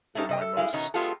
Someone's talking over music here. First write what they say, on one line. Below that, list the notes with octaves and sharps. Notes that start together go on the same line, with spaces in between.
in my most
A3 A#3 C#4 D#4 G4 A4
C3 D#5 G5
A4
G3 G#3 E4 F5
B2 D#3 C#4 D#4
F#3 G#3 B3 F4 G4 A4